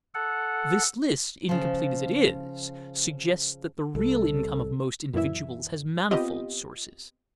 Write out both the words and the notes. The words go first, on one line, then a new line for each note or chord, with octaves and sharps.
This list, incomplete as it is, suggests that the real income of most individuals has manifold sources.
A4 F#5
C#3 F3
C2 A4
F#2 A#2 E3 E4 E5
B3 C4 F4 G4 D#5